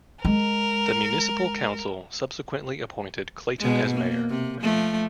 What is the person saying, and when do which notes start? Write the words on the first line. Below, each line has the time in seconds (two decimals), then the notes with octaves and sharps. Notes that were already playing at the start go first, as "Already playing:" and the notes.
The municipal council subsequently appointed Clayton as mayor.
0.25 G#3 A#4
3.60 B2 G#3
3.94 A#3
4.30 C3
4.61 F3 A3